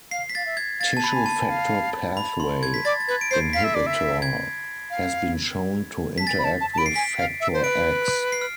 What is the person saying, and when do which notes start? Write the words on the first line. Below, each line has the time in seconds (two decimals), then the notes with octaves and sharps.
Tissue factor pathway inhibitor has been shown to interact with Factor X.
0.11 F5 C7
0.29 B6
0.35 F5 A6
0.46 E5
0.57 G#6
0.80 F5 A6
0.97 A5
1.04 B5
1.14 G#5
1.26 A5
1.40 G#5
1.49 F5
2.17 B5
2.40 C6
2.63 G#6
2.74 B6
2.85 D5 A6
3.00 A6
3.08 B4 G#6
3.21 D7
3.31 C5 C7
3.53 F5 B6
3.64 E5
3.75 D5
3.87 E5
4.22 G#6
4.90 F5
6.18 A5 B6
6.27 G#5 A6
6.38 B5
6.44 A5
6.61 A5
6.74 A5
6.78 B5 D7
6.86 C7
6.96 G#5 B6
7.18 F5
7.40 E5
7.54 C5
7.63 B4 D7
8.32 C7
8.41 F6